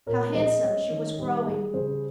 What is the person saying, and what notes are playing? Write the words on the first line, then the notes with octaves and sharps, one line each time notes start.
How handsome she was growing!
A#2 A#4 C#5
G#3 C5 D#5
C#4
D#3
G3 G4
G3 G#4
C#3 G#4 C5